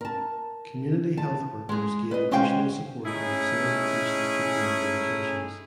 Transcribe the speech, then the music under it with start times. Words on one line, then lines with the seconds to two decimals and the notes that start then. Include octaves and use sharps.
Community health workers gave emotional support and observed patients taking their medications.
0.01 A#4 A5
1.17 A5
1.69 G#3 G#4
2.11 B4 D#5
2.31 G#3 C#4 F#4 C5 F5 G5
3.06 A3 C#4 D#4 E4 G#4